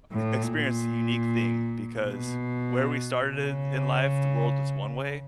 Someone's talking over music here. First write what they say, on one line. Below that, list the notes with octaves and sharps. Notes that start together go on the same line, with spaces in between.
uh, e experienced a unique thing because where we started in life, the world is one way,
A2
A#2
B2
C#3